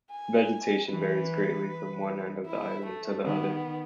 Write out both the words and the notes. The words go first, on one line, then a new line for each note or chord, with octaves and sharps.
Vegetation varies greatly from one end of the island to the other.
G#5
E3 B4
E4
A3
D#3 B3